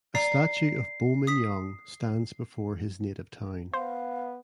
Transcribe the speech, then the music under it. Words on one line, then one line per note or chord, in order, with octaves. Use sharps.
A statue of Bo Min Yaung stands before his native town.
D5 A#5 C7
D#6 B6
B3 C5 F5